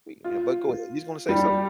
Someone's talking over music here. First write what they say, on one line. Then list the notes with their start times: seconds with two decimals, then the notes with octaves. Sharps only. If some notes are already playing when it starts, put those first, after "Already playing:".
We you know but go ahead, you was gonna say something?
0.24 F4
1.29 G3 G4